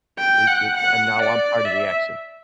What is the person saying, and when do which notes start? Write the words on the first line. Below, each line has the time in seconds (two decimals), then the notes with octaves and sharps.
Th th And now I'm part of the action.
0.19 G5
0.48 F#5
0.77 F#5
1.22 D5
1.65 E5